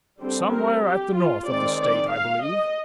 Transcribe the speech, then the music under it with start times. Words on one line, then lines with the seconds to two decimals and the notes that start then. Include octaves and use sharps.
"Somewhere at the north of the State, I believe."
0.20 D3 G3 C4
0.52 A#4
0.83 G4
1.15 F4
1.47 D#3 G#3 C4 D5
1.80 D5
2.11 F5
2.44 D#5